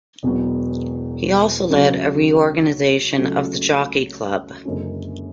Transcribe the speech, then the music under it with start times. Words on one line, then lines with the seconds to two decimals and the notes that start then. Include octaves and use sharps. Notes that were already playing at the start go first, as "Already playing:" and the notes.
He also led a reorganisation of the Jockey Club.
0.23 E1 E2 B2 F#3 B3
1.70 C#2 C#3 F#3 A3
3.17 C#2 C#3 F#3 A3
4.65 F#1 F#2 D3 G#3